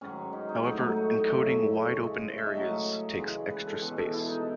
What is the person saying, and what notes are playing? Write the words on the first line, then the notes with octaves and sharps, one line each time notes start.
However, encoding wide-open areas takes extra space.
G#2 D#3 F#3 C#4
D#4
D#4
A2 F#3 A3 D#4
D#4
C#5
C#5
F#2 C#3 F#3 A3 E5
C#5
C#3 G#3
E5
D#5
C#3 F#3 A3 C#5
C#3 E3 G#3
B4
A4
B2 G#3 G#4
A4
E4
D#4